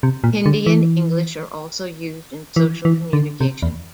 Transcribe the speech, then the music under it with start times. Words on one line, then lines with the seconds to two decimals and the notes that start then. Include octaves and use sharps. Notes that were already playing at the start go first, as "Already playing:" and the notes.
Hindi and English are also used in social communication.
0.03 C3
0.24 A#2
0.46 D3
0.66 E3
2.56 E3
2.85 E3
3.13 D3
3.41 C3
3.62 E2